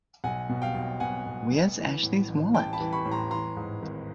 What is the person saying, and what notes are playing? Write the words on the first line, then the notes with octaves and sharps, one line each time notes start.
Where's Ashley's wallet?
B1 F#5 G#5
B2
F5 G5
B1
B2 F#5 G#5
B1
B2
E3
A2
A1
A1 G5 A5
A5 B5
E3
B5 C#6
A2
A#5 C6
E3 A#5 C6
G#2
G#1